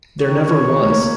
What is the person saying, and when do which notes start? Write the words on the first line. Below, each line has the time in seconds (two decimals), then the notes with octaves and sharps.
There never was...
0.22 D#3 C#5
0.78 A3 A#3